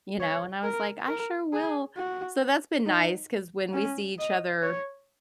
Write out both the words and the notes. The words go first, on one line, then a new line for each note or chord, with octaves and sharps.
you know? And, I was like, "I sure will." So, that's been nice 'cause when we see each other,
C#5
A#4
A#4
G#4
F#4
D#4
C#4
D#5
C#5